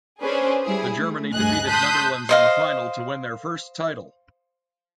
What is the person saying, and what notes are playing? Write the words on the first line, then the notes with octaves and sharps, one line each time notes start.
The Germany defeated Netherlands in the final to win their first title.
C#4 D4 G#4 B4 C5 D5
G3 E4 G#4
A3
D2 G2 G#4 D#5 G#5 F#6
A5 C6 D#6 F#6 G6 B6
C5 D#5 F5